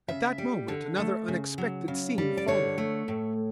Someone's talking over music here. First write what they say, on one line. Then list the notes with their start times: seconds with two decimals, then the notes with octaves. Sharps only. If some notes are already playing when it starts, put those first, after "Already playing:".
At that moment another unexpected scene followed.
0.08 C#3 E5
0.38 G3
0.68 D3
0.98 A3
1.28 C#3
1.58 F#3
1.88 C#3
2.18 G3
2.37 D5
2.48 D3 C#5
2.78 A3
3.08 A2